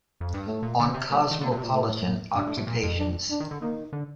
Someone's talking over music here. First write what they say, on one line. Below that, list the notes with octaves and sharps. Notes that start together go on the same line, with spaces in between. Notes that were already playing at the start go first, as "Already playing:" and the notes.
'On Cosmopolitan Occupations.
F2
G2
A2 A3
A#2
D3
C3
A#2 G3
C3
D#3
D3 A#3
A#2
C3
A#2
A2 A3
A#3
G2 D4
A2
A2
A#2
F2
D4
D4
D#3
D3
D#3 A#3
D3